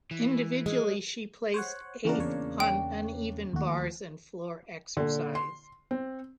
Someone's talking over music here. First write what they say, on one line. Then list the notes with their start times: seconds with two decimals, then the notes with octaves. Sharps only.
Individually she placed eighth on uneven bars and floor exercise.
0.11 E3
0.66 F#3 G#3
1.54 C5 C#5 F#5
2.05 C#3 E3 A#3 D4 F#4 A#4
2.19 E2 C#5
2.60 G5
3.53 D#2 A3 F#4
4.97 A#2 D3
5.35 C6
5.91 C4